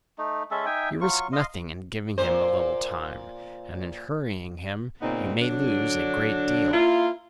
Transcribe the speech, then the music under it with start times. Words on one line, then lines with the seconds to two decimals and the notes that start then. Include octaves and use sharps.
You risk nothing in giving him a little time, and in hurrying him you may lose a great deal.
0.18 A3 D#4
0.51 G#3 C#4 A4 E5
0.66 D#4 E5 G5 G#5
1.01 F#3 F4 C#6
1.33 D#5 F5 C6
2.18 A#2 C5
5.01 A#2 C#3 B3 C4 D#4
5.40 D3 F#3 D4
6.72 A#3 E4 F4